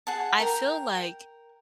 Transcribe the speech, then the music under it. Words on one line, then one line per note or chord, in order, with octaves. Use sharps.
I feel like,
G#4 F#5 A5
A#4 G5